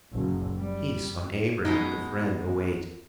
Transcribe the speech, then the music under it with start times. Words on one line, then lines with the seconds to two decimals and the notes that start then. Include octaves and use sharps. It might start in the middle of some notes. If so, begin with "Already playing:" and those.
Peace on Abraham the Friend await!
0.13 F#1
0.55 G3
1.65 B2 G#3 D#4